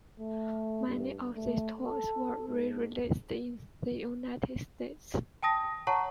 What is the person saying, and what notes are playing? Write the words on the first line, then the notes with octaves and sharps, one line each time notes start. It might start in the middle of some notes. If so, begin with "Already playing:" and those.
Many of these toys were re-released in the United States.
A3
G2
A3
A4
G#2
G5 A5 D#6 A#6
C#5 F#5 A5 A#5 C#6